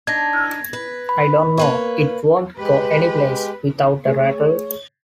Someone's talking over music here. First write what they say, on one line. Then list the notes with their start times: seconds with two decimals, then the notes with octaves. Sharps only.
I don't know, it won't go anyplace without a rattle!
0.07 D4 D#4 G#6 A#6
0.73 B4
1.09 B5
1.57 A#3 B4 C#5
2.59 G#3 G4 B4
4.06 A3 G#4 C#5